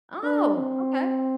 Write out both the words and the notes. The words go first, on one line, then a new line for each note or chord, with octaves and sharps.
Oh, okay.
D4
C4